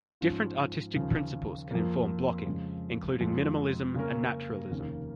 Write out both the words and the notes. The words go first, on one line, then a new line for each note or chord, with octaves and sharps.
Different artistic principles can inform blocking, including minimalism and naturalism.
G#2 F3 C#4 F4
D#2 C#3 F3
F2 F3 A#3
F2 C#3 G#3
F2 F3 G#3
C#3 A#3 C#4 A#4
F1 D#2 C#3 A#3